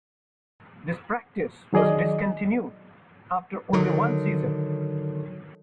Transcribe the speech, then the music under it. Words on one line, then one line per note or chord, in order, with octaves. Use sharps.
This practice was discontinued after only one season.
D#3 F#3 G#4 D5 D#5
D3 D#3 F#3